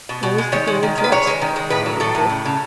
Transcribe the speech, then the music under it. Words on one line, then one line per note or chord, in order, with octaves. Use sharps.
"How was the girl dressed?" cried Dick.
B2
B2
G#3
D#3 C#5
G#3
D#3
D#3
B4
G#3 C#5
G#3
D#3
G#3
A2 B4
F#3
A2 A4
A2
C#3
C#3